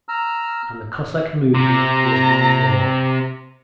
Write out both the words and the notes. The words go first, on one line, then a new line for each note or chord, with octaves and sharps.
And the Cossack movement was no more....
A#5 E6 F6
C3 A#5